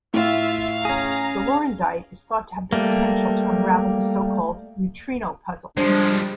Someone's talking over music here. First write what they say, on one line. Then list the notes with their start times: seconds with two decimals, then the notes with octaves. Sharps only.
The lorandite is thought to have the potential to unravel the so-called "neutrino puzzle".
0.14 A2 F4 E5 F5
0.85 C#4 G#4 A#5
2.73 G3 A3 A#3
5.77 F3 G3 G#3 D4 C5